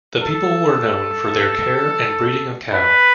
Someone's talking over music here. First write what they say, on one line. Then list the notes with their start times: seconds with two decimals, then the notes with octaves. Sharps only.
The people were known for their care and breeding of cattle.
0.23 A4
2.72 B4